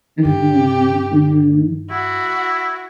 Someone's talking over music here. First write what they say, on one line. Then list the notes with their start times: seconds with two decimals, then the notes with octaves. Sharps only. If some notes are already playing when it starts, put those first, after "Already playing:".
Mhm, mhm.
0.25 G2 G4
1.91 E4 F#4